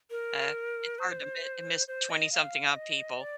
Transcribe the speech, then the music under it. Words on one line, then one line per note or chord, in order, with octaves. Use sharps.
uh, it's hard to mi miss twenty-something, odd people.
A#4
C5
C5
D#5
F5
D#5
D5